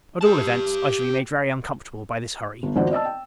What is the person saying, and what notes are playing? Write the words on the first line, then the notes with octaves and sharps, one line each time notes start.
At all events, I shall be made very uncomfortable by this hurry.
G4 A5
G1
G#1 F2 F#4 C5 D5 F#5
D5 D#5 A5 E6
G5